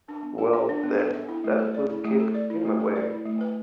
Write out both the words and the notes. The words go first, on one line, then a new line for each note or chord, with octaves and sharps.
Well! Then, that will keep him away.
D4
B3
A4
E5
D4
B3
A4
E5
E4
A3
A4
D5
E4
A3
A4
D5
E4
A3
B4
D5
E4
A3
B4